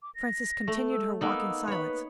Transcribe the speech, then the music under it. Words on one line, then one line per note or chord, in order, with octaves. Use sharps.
Frances continued her walk in silence.
D6
A#6
A3
E6
A#3 B3 D#4 E6
B4 C#5 B5